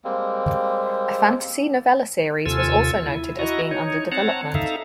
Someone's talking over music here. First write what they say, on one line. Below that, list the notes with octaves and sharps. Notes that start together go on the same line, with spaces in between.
A fantasy novella series was also noted as being under development.
G3 G#3 A#3 C4
D#2 C3 F4 A4 G#5 E6
E4
E4 F#4 D#5 A#5 C#6
D#4 C#5
C4 C#5 F#5 A5 A#5
D#4 A4 E5 F5 A#5